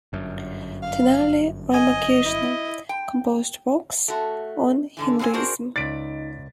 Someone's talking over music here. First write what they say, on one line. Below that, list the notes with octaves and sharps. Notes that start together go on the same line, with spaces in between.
Tenali Ramakrishna composed works on Hinduism.
G1 F#2
F5
D#5 G#5
E4
G5
A3 F#4
G#2 D3 E3
G2 A#2 C4 F#4 G#5
C4 D4 F#4 G#4 A#4 C5
C#2 D#4 D5 A6 B6 D7